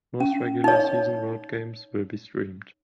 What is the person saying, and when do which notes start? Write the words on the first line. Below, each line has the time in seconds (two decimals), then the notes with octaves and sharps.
Most regular season road games will be streamed.
0.20 C#4
0.64 D#4 C#5